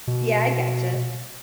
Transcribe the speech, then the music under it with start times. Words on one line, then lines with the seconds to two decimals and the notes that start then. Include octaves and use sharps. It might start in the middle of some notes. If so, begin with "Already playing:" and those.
Yeah, I gotcha.
0.07 B2